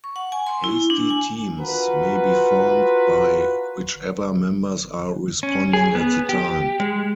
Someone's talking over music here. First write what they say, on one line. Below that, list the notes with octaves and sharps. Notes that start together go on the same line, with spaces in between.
Hasty teams may be formed by whichever members are responding at the time.
C#6
F#5
G#5
C6
E4
D4
G#5
F4 F#4 A#4 B4
C#4
G#4
B3
G4
G#3